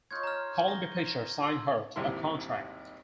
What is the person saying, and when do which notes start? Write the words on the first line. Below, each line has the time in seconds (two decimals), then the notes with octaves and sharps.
Columbia Pictures signed her to a contract.
0.11 D#4 F4 C#5 G6 G#6
0.24 A#5 F6
0.68 A#6 G7
1.43 C6 E6
1.96 G#1 D#2 C3 G3 E4 C6